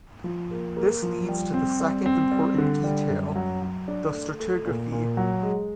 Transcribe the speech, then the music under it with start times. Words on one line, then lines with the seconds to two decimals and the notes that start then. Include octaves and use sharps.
This leads to the second important detail, the stratigraphy.
0.24 F3
0.51 A#3
0.77 A#3
1.03 F3
1.29 G3
1.54 C4
1.80 G3
2.06 C4
2.32 G3
2.58 D3
2.84 G3
3.10 F#2
3.35 F#3
3.62 F#3
3.88 D4
4.13 A3
4.40 A3
4.65 A#2
4.92 A#2
5.17 F#3
5.43 G#3